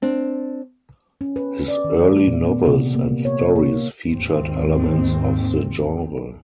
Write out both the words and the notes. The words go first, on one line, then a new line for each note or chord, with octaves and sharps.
His early novels and stories featured elements of the genre.
C4 D4
C#4
B4
D5
D#3
A3
A#2
B3
C3
A#3
C#5
A#3
G#1 D#2 D#3 C4